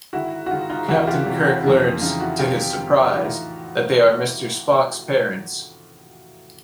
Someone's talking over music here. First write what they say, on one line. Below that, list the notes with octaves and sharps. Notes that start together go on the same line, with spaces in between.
Captain Kirk learns, to his surprise, that they are Mr. Spock's parents.
G#2 D#3 E4 F#4
F#4
G#2 D#3 D#4 F4
D#4 F4
E2 C3 E3 E4 F#4
F4 G4
E2 C3 E3
F2 C#3 E3
F2 C#3 E3 D#4 F4
E4 F#4
F2 C3 D#3 F4 G4
F2 C3 D#3
A2 E3 E4 F#4
D#4 F4